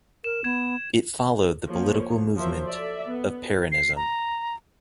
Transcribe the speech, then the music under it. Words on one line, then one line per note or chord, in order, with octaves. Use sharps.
It followed the political movement of Peronism.
A#4 E7
B3 G#6 E7
F3 A#3 C#5
F3 F#3 A#4 C5 E5
A4 D5 E5
B3
C7
A#5